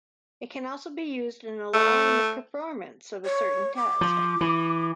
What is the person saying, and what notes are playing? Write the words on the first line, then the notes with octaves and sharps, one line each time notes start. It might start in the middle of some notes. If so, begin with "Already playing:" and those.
It can also be used in allowing the performance of a certain task.
A3
C#5
D6
F3
E3